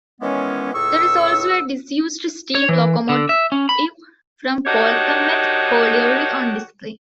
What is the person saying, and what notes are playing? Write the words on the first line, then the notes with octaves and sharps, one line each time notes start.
There is also a disused steam locomotive from Polkemmet Colliery on display.
D#3 E3 G#3 B3 C#4
C#2 A2 G#4 C#6 E6
C#5
E3
D3
E5
C#4
B5
D#3 D4 D#4 F#4 G4 C#5